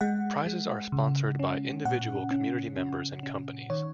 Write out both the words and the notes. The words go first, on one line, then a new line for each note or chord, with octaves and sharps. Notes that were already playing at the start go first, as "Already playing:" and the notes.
Prizes are sponsored by individual community members and companies.
G#3 F#5
G#3
C#3
C#4
A#2 F#5
C#4
C#4
C#4
D#3 C#5